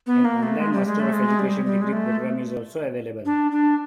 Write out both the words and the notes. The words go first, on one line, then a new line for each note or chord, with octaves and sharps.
An online Master of Education degree program is also available.
B3
A#3
A3
G#3
G3
G#3
A3
G#3
G3
G3
G#3
A3
D4
D4